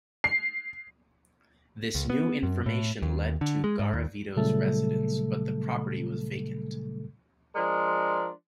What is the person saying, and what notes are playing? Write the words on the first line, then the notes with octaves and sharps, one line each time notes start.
This new information led them to Garavito's residence, but the property was vacant.
C7
C#2
B3
F#2
A2
D#2
D3
G#3
G#2
D#2
A#2 C#3 F#3 G3 A3 A4
F3 G#3 D4 A#4 C6